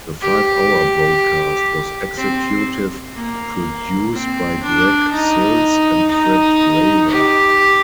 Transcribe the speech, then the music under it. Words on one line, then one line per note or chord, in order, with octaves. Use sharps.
The five-hour broadcast was executive produced by Greg Sills and Fred Graver.
G4
C4
A#3
C4
D4
D#4
D#4
G4